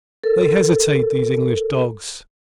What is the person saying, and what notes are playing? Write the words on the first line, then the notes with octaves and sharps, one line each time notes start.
They hesitate, these English dogs!
A4 A#4